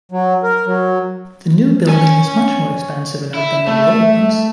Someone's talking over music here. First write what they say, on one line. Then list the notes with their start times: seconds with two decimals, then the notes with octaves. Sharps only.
The new building is much more expansive and open than the old ones.
0.12 F#3
0.43 A#4
0.66 F#3
1.89 C#5 G#5
3.34 E4 E5
3.67 A3